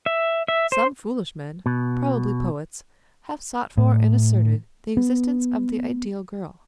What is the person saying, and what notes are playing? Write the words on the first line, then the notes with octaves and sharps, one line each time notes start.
Some foolish men--probably poets--have sought for and asserted the existence of the ideal girl.
E5
E5
C5
B2
A2
B3